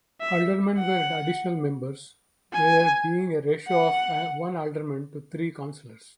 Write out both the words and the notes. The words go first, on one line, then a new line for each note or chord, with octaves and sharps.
Aldermen were additional members, there being a ratio of one alderman to three councillors.
E5
F#5
G#5
F#5